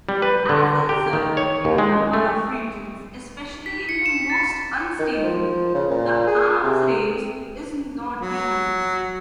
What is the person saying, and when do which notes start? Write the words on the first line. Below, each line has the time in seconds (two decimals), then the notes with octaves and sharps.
As a result, in a number of regions, especially in the most unstable, the arms race is not weakening.
0.09 G3
0.22 B4
0.49 D3
0.89 G4
1.13 D#3
1.37 C#5
1.65 D#2
1.78 G#3
2.13 A3
3.66 B6
3.89 C#7
4.06 E7
4.30 A6
4.99 D#3
5.23 F3
5.74 C#3
5.90 A#2
6.27 G#4
6.63 C3
8.21 F#3